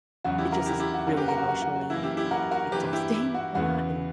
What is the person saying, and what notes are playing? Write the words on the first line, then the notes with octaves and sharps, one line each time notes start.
It just is really emotionally, uh, exhausting a lot, and,
E2 C#3 F#3 F#4
E4 G4
F#4 A#4
E4 G4
E4 G4
F#4
F#2 D3 F#3 A#3 F#4 A#4
G4 B4
F#4 A#4
F#4
F#4
F#4
F#4
F#2 E3 A#3 E4
E4 G4
E4 G4
F#4 A#4
F#4 A#4
G2 E3 A#3 G4 B4
E4 G4
E4 G4
F#4
E2 C#3 E3 B3 F#4